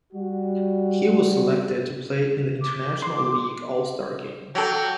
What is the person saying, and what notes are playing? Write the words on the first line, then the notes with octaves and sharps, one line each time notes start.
He was selected to play in the International League All-Star game.
G3 F#4
D6
C6
F#3 G4 A4 G5